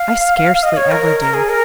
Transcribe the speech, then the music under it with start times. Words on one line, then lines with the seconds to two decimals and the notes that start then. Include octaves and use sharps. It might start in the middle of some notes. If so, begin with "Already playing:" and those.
I scarcely ever do.
Already playing: F5
0.63 D#5
0.77 C#5
0.91 A#4
1.20 A#4
1.34 G#4
1.49 A#4